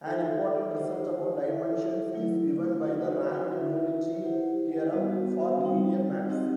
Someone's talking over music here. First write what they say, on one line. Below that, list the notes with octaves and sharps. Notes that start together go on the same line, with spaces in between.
An important result about dimensions is given by the rank-nullity theorem for linear maps.
D#4 A4 E5
D#4 G4 C5 D#5 F#5
E4 A4 E5
F#3 A3 E4
D#4 F#4 B4 F#5
E4 B4 E5
E4 G4 C5 F#5
G3 B3 F#4
G3 C4 D#4
C4 D#4 G4 D#5 F#5